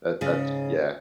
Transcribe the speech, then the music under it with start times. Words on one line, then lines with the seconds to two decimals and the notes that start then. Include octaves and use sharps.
That that's yeah.
0.21 G#2 C#3 G#4